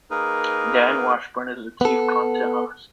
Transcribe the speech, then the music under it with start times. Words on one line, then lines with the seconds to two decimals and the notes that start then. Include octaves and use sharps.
Dan Washburn is the Chief Content Officer.
0.11 A#3 D#4 G#4 A#4 B4
1.81 B3 A4